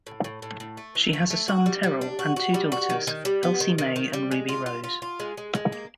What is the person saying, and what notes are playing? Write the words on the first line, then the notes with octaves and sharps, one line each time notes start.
She has a son Terrell and two daughters Elsie-Mae and Ruby Rose.
A2
A2
A2
A2
A3
E3
A3
A3
F#4
G3
G3
D4
F#4
F#4
G3
F#4
D#3
D#3
G3
B3
D#3
D#3
D#3
G3
G#3
F4
F4
F4
F4
G#3
G#3
G#3
A#3